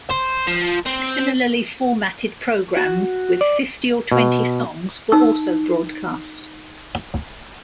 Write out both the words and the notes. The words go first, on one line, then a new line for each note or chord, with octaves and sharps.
Similarly formatted programmes with fifty or twenty songs were also broadcast.
C5
F3
C4
F#4
D5
B2
D#4 E6